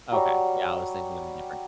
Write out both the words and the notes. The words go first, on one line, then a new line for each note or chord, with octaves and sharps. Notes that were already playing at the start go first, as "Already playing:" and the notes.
Okay. Yeah, I was thinking of a different
F#3 G3